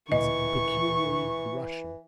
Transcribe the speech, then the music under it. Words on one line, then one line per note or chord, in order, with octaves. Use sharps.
It's peculiarly Russian.
D2 A#2 E3 D#5 C#6